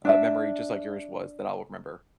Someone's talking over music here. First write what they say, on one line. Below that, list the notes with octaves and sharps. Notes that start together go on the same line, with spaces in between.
uh, memory just like yours was that I'll remember.
D4 E5